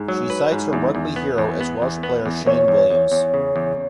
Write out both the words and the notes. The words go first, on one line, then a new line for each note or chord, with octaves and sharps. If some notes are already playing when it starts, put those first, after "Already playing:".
She cites her rugby hero as Welsh player Shane Williams.
Already playing: G#2
F#3
B4
G#2
E2
E2
B3
E2
B3
E2
B3
E2
E2 C#5
E2
E2
E2
C#3
E2